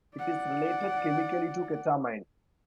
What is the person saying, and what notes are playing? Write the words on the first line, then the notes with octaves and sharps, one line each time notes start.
It is related chemically to ketamine.
D5 F#5